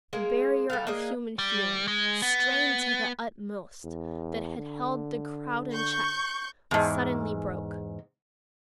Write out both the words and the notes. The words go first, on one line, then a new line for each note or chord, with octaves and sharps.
The barrier of human feeling, strained to the utmost, that had held the crowd in check suddenly broke.
G#3 A#3 D#4 G#4
G3 A4 F5
A#3 D4 G#4 D#5
G3
G#3
B3
E2
D3
C#6 G6
E2 G#2